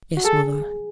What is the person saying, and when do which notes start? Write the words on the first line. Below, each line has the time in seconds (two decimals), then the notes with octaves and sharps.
'Yes, mother.
0.17 F#4
0.25 G#4 A4